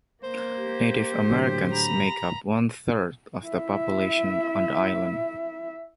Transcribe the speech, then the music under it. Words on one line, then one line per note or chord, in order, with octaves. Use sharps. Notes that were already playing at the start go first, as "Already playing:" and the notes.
Native Americans make up one-third of the population on the island.
A#3 C5
G4
A2 D3 F#3
A#5 B5
E4 E5